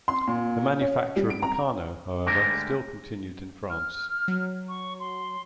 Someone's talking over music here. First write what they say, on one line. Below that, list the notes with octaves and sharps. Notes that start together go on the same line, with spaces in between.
The manufacture of Meccano, however, still continued in France.
C6
A#2
C#4
G3
D7
A#5
D2 D3 G3 G#3 A#4 D5
F6
F#3
C#6
C6